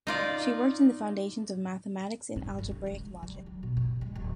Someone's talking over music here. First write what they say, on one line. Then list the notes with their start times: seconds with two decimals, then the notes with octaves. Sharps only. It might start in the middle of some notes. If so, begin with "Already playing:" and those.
She worked in the foundations of mathematics and algebraic logic.
0.07 D#4 F4 D5
2.36 G2
2.59 G1
2.71 C#4
2.86 G#3
3.23 G3
3.46 F#3
3.63 B2
3.77 G2
4.01 G#3
4.15 D1